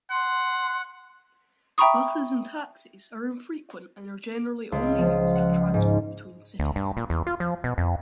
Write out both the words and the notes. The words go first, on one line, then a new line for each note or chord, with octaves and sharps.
Buses and taxis are infrequent and are generally used only for transport between cities.
F#5 C6
E5 G5 A#5 B5 C#6 D#6
C#2
F3
F#5
G#2
D2
G2
A#2
E2
F4
F3
B2
F2